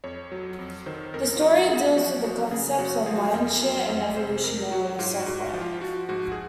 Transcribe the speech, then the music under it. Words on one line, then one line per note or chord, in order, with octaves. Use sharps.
The story deals with the concepts of mindshare and evolutionary software.
F2 C#5
F#3
F2
D#3 C5
F2 A#4
F4
F#3 F#4
F#2 G#4
F3 F#4
F#2 F#4
C#3 G#4
F#2 F#4
F3 G#4
F#4
G#4
F2 A#4
F#3
F2
C3 C5
F2 A#4
F#3 F#4
G#2 F4
F#4
G#2
F#4
F3
F4
F3 F#4
G#2 F#4
G#4